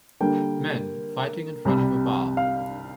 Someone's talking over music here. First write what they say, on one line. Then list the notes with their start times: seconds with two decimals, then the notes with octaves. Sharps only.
Men fighting in front of a bar.
0.21 D3 G3 A#3 G5
1.65 C2 C3 G3
2.37 F5